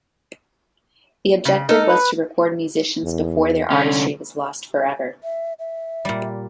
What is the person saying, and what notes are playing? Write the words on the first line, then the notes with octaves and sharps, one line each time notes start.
The objective was to record musicians before their artistry was lost forever.
C#3
D#4 A4 A#4
B4
E2
C2 D3 C#4
E5
E5
A#2 G3